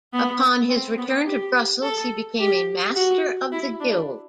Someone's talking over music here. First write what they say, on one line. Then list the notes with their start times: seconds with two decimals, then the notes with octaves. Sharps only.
Upon his return to Brussels he became a master of the Guild.
0.13 B3
0.69 C4
0.98 B3
1.26 G4
1.82 A4
2.39 G4
2.95 F#4
3.52 E4
3.80 D4